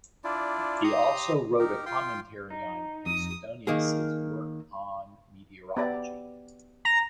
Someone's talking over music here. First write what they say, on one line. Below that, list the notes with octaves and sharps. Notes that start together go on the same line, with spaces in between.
He also wrote a commentary on Posidonius' work "On Meteorology".
D4 E4 F4 D5
G4 A#5 C6 D#6
D#4 G4 A#4
F4 G5 C6
D#4
F2 D#6
D#3 A#3 G#4
B3 G4 D5
A#5